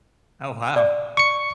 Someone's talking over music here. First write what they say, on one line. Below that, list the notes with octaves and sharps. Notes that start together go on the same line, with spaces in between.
Oh, wow.
D5
C#6 C#7